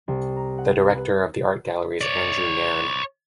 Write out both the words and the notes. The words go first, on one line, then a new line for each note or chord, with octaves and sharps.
The director of the art gallery is Andrew Nairne.
C2
A#5
F#5
B4
C#5 D5